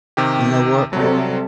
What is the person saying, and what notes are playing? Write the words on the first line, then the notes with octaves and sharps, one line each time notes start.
"You know what?
C3 D#3 G4
C3 F#3 G3 A4